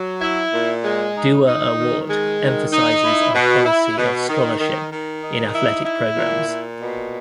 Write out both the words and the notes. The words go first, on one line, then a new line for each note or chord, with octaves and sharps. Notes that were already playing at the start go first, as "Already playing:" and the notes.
Duer Award emphasizes our policy of scholarship in athletic programs.
Already playing: F#3
E4
A#2
G#3
D#4
D#4
D#3
G#3
D#3
D#4
E4
B2
E4
B2
D#3
D#3
D#3
D#4
E4
E4
A#2
A#2
B2